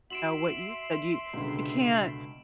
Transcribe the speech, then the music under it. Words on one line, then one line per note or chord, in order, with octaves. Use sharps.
Know what you do you you can't
F#4 E5 C6 D7 E7 F#7
C#2 B2 D3